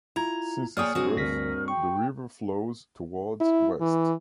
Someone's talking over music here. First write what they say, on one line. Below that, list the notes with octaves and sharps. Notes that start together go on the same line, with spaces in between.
Since its birth, the river flows towards West.
E4 F4 A#5 G#6
A#3 G#4 C#5 D5 G5 G#5 D#6 F6
G2 C4 D4 F#4 G#4
D2 A#4 A#6 B6
G5 C#6
E4
E3